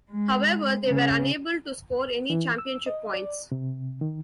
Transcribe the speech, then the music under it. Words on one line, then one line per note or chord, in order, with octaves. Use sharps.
However, they were unable to score any championship points.
G#3
C#3
E3
E6
D#5
D5
C3
D#3